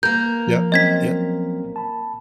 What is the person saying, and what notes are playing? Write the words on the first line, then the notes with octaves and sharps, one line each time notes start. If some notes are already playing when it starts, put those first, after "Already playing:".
Yep. Yeah.
A#3 A#4 G6
F3
F#3 C4 C#4 D#5 G#6 B6
A5 B5